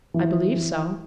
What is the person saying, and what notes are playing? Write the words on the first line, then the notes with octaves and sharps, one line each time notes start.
"I believe so."
E3
E3